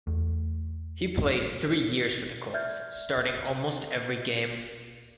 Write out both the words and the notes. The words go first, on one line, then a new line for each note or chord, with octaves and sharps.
He played three years for the Colts, starting almost every game.
E2 A3
D5 E5 F6 G6 G#6